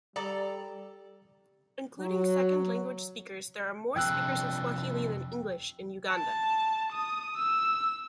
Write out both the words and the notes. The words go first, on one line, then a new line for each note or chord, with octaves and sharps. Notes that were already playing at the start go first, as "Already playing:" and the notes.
Including second-language speakers, there are more speakers of Swahili than English in Uganda.
G3 A4 D5 A#5
F#3
F2 C3 D4 G5 E6 F#6
A5
D#6
E6